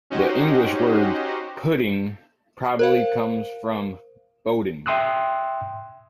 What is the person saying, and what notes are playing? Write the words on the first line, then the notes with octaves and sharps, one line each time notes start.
The English word "pudding" probably comes from "boudin".
C#4 D#4 F#4 G4 C5 D#5
A#4 C5 F5
E5 G5 C6 D#6 E6 F#6